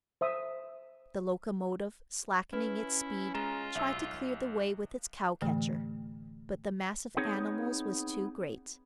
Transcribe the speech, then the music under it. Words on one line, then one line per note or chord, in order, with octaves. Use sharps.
The locomotive, slackening its speed, tried to clear the way with its cow-catcher; but the mass of animals was too great.
C5 E5 D#6
C#4 E4 B4
G#3 F4 A#5 E7
B1 E5 E6
A2 D3 E3 A3
B3 C4 D#4 G#4 C#5